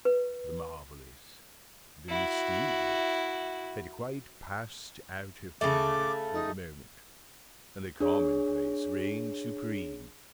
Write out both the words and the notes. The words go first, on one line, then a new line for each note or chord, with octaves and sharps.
The Marvellous--the Mysterious--had quite passed out of my life for the moment: and the Common-place reigned supreme.
B4
E4 F#4
C#3 A3 D6
D#4
D4 G#4 C#5